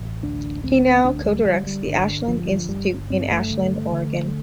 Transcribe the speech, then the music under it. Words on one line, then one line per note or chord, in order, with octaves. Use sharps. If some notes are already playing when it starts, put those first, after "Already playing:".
He now co-directs the Ashland Institute in Ashland, Oregon.
Already playing: A1
D2 D4
D2 C4
D2 D4
G3
D3 G3
G3
G1 D3
D3 F3
G1 G3
G2 C4
A3
D3
D3